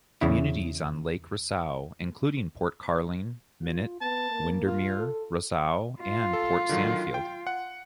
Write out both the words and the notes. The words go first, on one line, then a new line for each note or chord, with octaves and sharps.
Communities on Lake Rosseau include Port Carling, Minett, Windermere, Rosseau and Port Sandfield.
E2 C#3 E4
F4
B3 A5
A#3
F4
A4
F4
A4
D3 D#3 F#3
G5
F#5